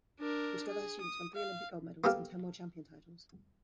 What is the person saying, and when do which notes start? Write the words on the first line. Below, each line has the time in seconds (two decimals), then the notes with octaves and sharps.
Altogether, her students won three Olympic gold medals and ten world champion titles.
0.20 D4 A#4
0.68 G#4
1.01 D#6
1.35 F5
2.04 A#3 B3 G4 A4 F5